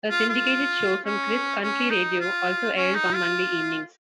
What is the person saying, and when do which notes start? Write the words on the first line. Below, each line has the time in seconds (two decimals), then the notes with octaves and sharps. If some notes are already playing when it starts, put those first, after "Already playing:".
A syndicated show from Chris Country Radio also airs on Monday evenings.
0.10 F4
0.29 F4
1.05 C#4
1.62 C#4
1.90 D#4
2.20 F4
2.76 C#4
2.95 D#4
3.15 F4